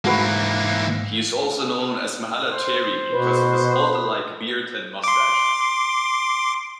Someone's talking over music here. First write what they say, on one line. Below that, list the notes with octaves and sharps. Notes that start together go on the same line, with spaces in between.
He is also known as "Mahaletere" because of his halter-like beard and mustache.
G#2 E3 A3 A#3 F#4 B4
C5
B2 B4
C6 D6